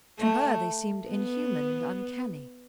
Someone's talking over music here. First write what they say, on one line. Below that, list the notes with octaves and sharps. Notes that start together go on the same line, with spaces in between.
To her they seemed inhuman and uncanny.
A3
B3